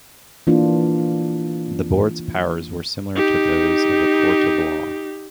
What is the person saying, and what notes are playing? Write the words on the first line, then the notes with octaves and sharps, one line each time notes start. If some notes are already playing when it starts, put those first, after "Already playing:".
The Board's powers were similar to those of a court of law.
E3 A#3 D4 F4
D#4 G4